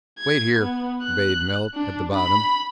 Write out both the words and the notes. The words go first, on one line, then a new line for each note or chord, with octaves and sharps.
"Wait here," bade Milt, at the bottom.
G#6
B3
F#6
D4
B5